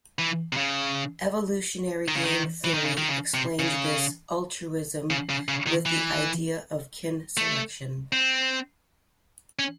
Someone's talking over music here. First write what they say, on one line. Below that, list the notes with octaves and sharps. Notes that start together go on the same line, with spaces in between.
Evolutionary game theory explains this altruism with the idea of kin selection.
E3
C3
C#3
D#3
C#3
D#3
E3
D#3
C#3
D#3
C#3
C3
C#3
C#3
C#3
C#3
D#3
E3
A3
C4
C#4